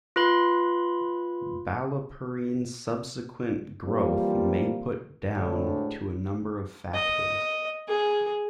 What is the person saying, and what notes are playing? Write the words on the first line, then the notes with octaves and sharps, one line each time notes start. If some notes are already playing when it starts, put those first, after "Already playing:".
Ballyporeen's subsequent growth may put down to a number of factors.
F4 B4 B5 C6
E3 F3 G3 A#3 C4
D2 A2 D3 G#3 D4
D#5
G#4